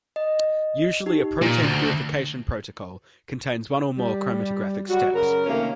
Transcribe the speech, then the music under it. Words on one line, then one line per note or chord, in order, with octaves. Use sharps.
Usually a protein purification protocol contains one or more chromatographic steps.
D#5
D#4 G4
A#2
D2 A6
G3
F#3 G3 F#4
F#2 C#3 A#4
C3 D#3 A3 A#3 C#4